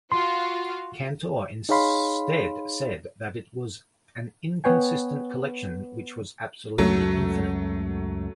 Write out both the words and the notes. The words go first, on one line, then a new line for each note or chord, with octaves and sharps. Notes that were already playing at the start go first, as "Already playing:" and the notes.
Cantor instead said that it was an "inconsistent" collection which was absolutely infinite.
F4 F#4 F5 C6
D#4 G#4 C#5 F5 B5 C6
B3 B4 C#5 G5 G#5
C#2 F#2 F#3 A3